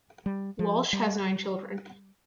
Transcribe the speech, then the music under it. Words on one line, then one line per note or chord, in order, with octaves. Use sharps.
Walsch has nine children.
G3
F3
G3